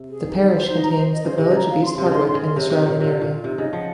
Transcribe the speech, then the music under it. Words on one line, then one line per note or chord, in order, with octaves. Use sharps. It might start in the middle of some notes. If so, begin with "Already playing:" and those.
The parish contains the village of East Hardwick and the surrounding area.
Already playing: C3
G#4
D#4
G#4
C5
D#4
A#5
C5
D#5
C#3 C5
C3 D#5
C#3 A#5
F5
C6
C3 C6
C#3
D#3 C6
C6
C#3
C6
C3 C#5
C3 C#5
A#2 C#5
C3 F4
F4
A#2
F4
C3 D#4
C#3 D#5
F3 F#5